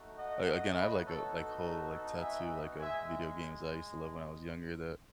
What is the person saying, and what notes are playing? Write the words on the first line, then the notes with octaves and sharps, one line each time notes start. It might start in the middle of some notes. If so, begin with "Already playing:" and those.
a again, I have, like, a like, whole, like, tattoo, like, of video games that I used to love when I was younger that
Already playing: A3 D#4 F#4
D#5 F#5
D#5 F#5
B4 D#5
B3 D#4 F#4 A4 C#5
A4
A4
A4
E5 G#5
G#3 E5 G#5